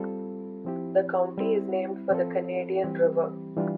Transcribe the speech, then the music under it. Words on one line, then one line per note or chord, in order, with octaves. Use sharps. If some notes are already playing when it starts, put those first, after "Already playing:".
The county is named for the Canadian River.
Already playing: G3 C4 F4 A4
F3 C4 E4 G4
G3 C4 E4
F3 C4 F4 A4
E3 G3 C4 G4
E3 G3 D4 F4